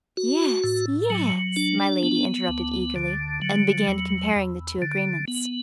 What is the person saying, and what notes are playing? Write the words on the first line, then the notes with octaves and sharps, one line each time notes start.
"Yes, yes!" my Lady interrupted eagerly, and began comparing the two Agreements.
F#4
A2
F#3
D4
B3
D2
D3
F#3
E2
E2
D3
B3